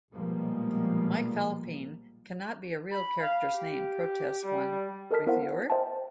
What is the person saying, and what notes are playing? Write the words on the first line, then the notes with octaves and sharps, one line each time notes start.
"Mike Fallopian cannot be a real character's name," protests one reviewer.
A#1 B2 F3 G3 G#3 A#3
B5
F5
G4
G3
A4 A#4 D#5 A5 F6 B6
B3 E4 A#4 C5 F5 F#5
C5 D#5 E5 G5 A5